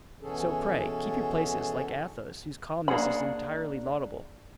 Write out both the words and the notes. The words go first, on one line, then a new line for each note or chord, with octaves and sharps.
So pray keep your places, like Athos, whose calmness is entirely laudable.
B2 E3 C#4 G#4 A4
A#3 D4 G#4 F#5 B5